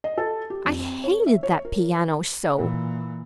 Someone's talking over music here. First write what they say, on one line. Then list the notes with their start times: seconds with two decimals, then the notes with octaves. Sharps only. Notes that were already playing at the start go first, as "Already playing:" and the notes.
I hated that piano so!
0.04 D#5
0.18 A4
0.50 G4
0.65 F2
0.79 C4
1.04 C#5
1.26 E5
1.43 C#5
1.65 A#4
2.57 A#2 E3